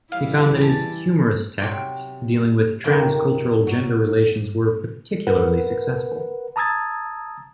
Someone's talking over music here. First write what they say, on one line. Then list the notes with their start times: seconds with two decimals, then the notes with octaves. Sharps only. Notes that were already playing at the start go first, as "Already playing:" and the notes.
He found that his humorous texts dealing with trans-cultural gender relations were particularly successful.
0.12 E3 G3 E4 F5
0.57 G#5 A5
1.60 C3 F#3 G4 C5 G5
2.84 F2 C3 D#3 F#3 A#3
3.67 F#3
5.27 A#4 B4 F#5
6.56 A5 A#5 D#6 E6 G#6 A6